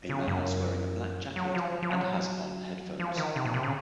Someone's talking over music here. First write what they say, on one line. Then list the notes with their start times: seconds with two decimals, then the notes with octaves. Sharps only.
A man is wearing a black jacket and has on headphones.
0.09 C#3
0.28 F#2
1.36 F#3
1.55 F3
1.83 F3
1.91 F#3
3.00 F3
3.18 D#3
3.36 C3
3.45 A#2
3.54 C3
3.63 C#3